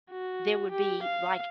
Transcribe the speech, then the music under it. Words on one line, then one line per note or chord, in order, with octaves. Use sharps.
there would be, like,
F#4
G4
F5